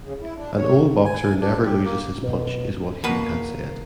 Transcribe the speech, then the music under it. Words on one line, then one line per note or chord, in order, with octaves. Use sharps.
An old boxer never loses his punch is what Hugh had said.
C#3
E4
D4
C#5
G#5
D4
G4
A#3
B2
B2 A#3 B4